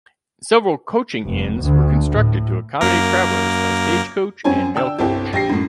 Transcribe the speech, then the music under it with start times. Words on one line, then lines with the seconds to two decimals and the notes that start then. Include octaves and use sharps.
Several coaching inns were constructed to accommodate travellers by stagecoach and mail coach.
1.24 F1
1.61 D2
2.09 A2
2.81 F#2 A#3 A#4
4.44 F#2 C4 C#5 G#5
4.74 D3 D4 G5 E6
4.99 G1 C2 C4 E4 G5
5.33 A#1 G4 A#6 C7
5.49 F#2 A2